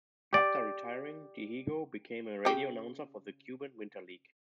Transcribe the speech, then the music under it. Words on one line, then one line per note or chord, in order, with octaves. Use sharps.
After retiring, Dihigo became a radio announcer for the Cuban Winter League.
G4 D5
C#3 G4